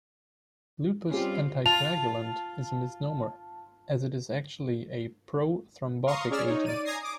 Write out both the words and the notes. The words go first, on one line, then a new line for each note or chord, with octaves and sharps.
Lupus anticoagulant is a misnomer, as it is actually a prothrombotic agent.
G3 C4 C#4 F4 G4
F4 A5 F7
F5 A#5 C6 C#6 D#6
C#4 G#4 D5 E6 F6
D#4 C#5
D5 D#7
G#5 A#5 D#6 G#6 A#6 C7
D6 D#6